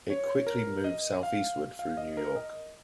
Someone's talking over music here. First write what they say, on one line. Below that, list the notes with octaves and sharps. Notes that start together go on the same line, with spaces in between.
It quickly moved southeastward through New York.
C#5
A#4
D#5
F5
F5
D#5
A#4
D#5